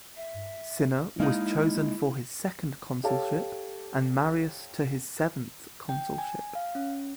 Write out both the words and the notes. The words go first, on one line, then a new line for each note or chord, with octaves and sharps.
Cinna was chosen for his second consulship and Marius to his seventh consulship.
E5
G#3 A#3 D#4 E4 F5
G4 A4 C#5 F5 A5
G5
G#5
F5
C#4